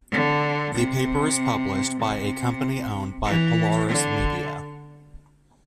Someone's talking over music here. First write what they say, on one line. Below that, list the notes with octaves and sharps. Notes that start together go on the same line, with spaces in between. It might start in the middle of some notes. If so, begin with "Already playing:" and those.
The paper is published by a company owned by Polaris Media.
D3
C3
C3
E3
D3